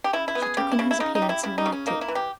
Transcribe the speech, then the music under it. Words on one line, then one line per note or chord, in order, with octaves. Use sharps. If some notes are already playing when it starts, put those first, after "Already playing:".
She took in his appearance and liked it.
G4
C#3 E4
E4
B3
G#4
C#3 G4
E4
C#3
E4
C#3 D#4
D#4
G3
E4
C#3 E4
D#4
C#3
C#4
A#3 D#4
E4
E3
G4